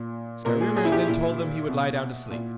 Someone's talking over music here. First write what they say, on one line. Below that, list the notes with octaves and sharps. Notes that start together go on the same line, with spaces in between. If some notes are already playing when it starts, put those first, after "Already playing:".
Skrymir then told them he would lie down to sleep.
Already playing: A#2
A#2 A#4
G#4
G#4
E4
G4
A#2 E4
B2
A#2